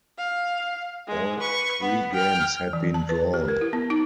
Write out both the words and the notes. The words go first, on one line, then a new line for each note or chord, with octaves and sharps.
All three games had been drawn.
F5
G#3
B4 C#6
B3 B5
G5 F6
E3
A5
B4
G4
A#4
E4
B3
D#4